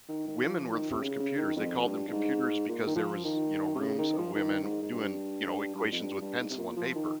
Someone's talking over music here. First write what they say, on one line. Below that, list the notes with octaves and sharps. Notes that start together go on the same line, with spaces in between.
women were the first computers. They called them "computers" because there was, you know, rooms of women doing, you know, equations with pencil and paper,
D#3
D#3
F3
D#3
C3
C#3
C#3
D#3
F2
G2
G2
G#2
A#2
D#3
F3
D#3
C3
C#3
D#3
F3
D#3
G#2
G#2
G2
G2
G2
F2
G2
G2
G#2
C3
A#2
F3
D#3